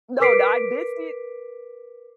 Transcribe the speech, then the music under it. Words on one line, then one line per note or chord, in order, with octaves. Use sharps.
No, now I did see it
A#4 B4 D6 B6 C7 D7